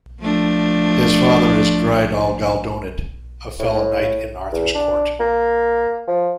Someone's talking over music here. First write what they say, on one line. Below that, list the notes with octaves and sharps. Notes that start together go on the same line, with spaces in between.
His father is Greidawl Galldonyd, a fellow knight in Arthur's court.
F3 A3 D4
A2
E2
D4
A#3
F3